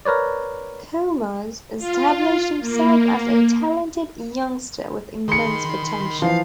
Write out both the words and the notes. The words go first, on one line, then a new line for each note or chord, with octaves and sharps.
Koumas established himself as a talented youngster with immense potential.
A#4 B4 C#5 D5
F4
A#3
D#3 G#4 B5 C6 C#7
E3 F3 F5